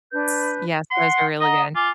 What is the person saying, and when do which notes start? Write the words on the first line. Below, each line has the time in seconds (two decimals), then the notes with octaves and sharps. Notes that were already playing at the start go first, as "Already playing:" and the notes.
Ts Yes. Those are really good.
0.13 D4 B4 G6
0.91 F#5 C6
1.41 D#5 F#5 A#5 D#6
1.75 F4 G#5 D6